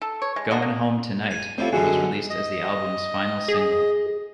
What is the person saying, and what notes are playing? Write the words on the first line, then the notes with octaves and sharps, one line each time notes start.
"Goin' Home Tonight" was released as the album's final single.
A4
C#5
G#3
D4 F#4 D#5
A#3
G#5
A2 G3 C4 F4
F#2 B2 D3 F#4 G#4
D#5
G#4